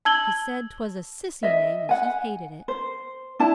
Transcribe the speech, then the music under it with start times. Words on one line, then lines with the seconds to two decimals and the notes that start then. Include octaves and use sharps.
He said 'twas a sissy name, and he hated it.
0.05 A5 E6 G#6 F#7 G7
1.43 D#5 E5
1.89 F#5 G#5
2.68 C5
3.39 D4 E4 A5